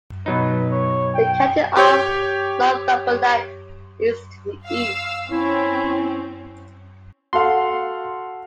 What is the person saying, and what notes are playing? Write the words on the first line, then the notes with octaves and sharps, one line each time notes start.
The county of Northumberland is to the east.
B2 F#3 D#4 B4
C#5
G5
G4 C#5 G6
F5 E6
C4 C#4 E4
F#4 A4 F5 C6